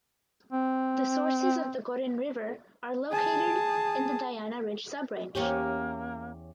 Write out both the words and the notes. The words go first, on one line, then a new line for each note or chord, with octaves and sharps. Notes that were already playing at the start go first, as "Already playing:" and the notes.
The sources of the Gorin River are located in the Dayana Ridge subrange.
C4
G#4 A5
E2 A#3 C#4 G4